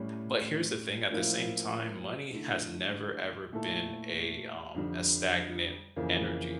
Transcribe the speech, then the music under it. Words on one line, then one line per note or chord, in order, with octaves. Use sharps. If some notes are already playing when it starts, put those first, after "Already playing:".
but here's the thing, at the same time, money has never ever been a, um, a stagnant energy.
Already playing: A2 G3 C#4
A2 F3 A#3 C#4 E4
D3 A3 E4
A#2 A3 E4 A4
F2 D3 G3
F2 C#3 E3 A#3 C#4